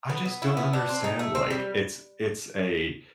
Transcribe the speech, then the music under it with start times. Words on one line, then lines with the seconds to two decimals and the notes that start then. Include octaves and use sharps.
I just don't understand, like, it's it's a
0.10 B3
0.25 B3
0.42 E4
0.57 B3
0.73 D4
0.89 C4
1.04 D#4
1.19 A3
1.35 C4
1.50 G3